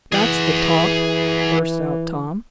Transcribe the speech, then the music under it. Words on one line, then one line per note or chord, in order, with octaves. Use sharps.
"That's the talk!" burst out Tom.
E3 G#4 F#5